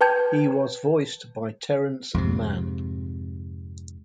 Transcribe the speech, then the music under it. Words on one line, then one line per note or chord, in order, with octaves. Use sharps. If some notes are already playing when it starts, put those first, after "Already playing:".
He was voiced by Terrence Mann.
B4 G5 A5 G6 G#6
F2 G#2 C3